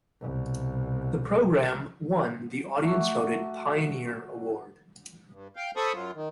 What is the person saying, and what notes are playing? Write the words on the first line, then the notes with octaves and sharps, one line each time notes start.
The programme won the audience-voted "Pioneer Award".
C2 B2
A3 F#4 A#5 D6
G2
F5 G5
A4 C5 A5 B5 C#6 D#6
F#2 F#3 F4
D#3